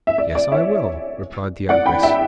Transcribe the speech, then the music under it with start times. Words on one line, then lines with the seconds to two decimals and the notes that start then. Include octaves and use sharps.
'Yes, I will,' replied the ogress.
0.07 E5
0.18 D5
0.35 D5
0.52 C#5 E5
1.69 D5 F#5
1.86 G5 B5
2.03 E5 G5